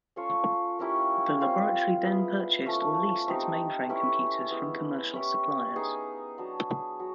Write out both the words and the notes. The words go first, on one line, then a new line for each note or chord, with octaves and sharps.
The Laboratory then purchased or leased its mainframe computers from commercial suppliers.
C#4 F4 A4 C#5
A#3 C#4 E4 G4
G3 C4 F4
B3 E4 G#4 B4
F3 A3 C#4
A3 C4 D#4 G4
C#4 E4 G4 B4
G#3 B3 E4
C#4 E4 G4
B3 D#4 G#4
F#3 B3 D4
F#3